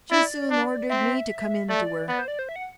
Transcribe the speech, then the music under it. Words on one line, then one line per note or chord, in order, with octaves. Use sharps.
She soon ordered me to come in to her.
E4 D5
D4
C4 E5
A3 D5
B3 D5
C5
D5
C5
E5
F#5